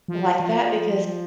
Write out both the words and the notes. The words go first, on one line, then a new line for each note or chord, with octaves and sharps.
like that? Because
F3
F3